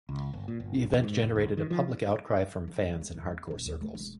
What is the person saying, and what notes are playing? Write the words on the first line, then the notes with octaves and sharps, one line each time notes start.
The event generated a public outcry from fans in hardcore circles.
C#2
G1
A#2
G1
B1
E1
G#2
F1
D2
D#3
F3
F3
F#3
B3
E2
C4
D#1
D#2
A3
E1